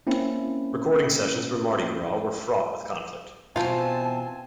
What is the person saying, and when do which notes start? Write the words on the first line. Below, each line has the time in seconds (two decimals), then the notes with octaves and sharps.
Recording sessions for "Mardi Gras" were fraught with conflict.
0.07 A#3 C4 C#4 E4
3.56 B2 E3 B3 C4 F4 C5 G#5 A5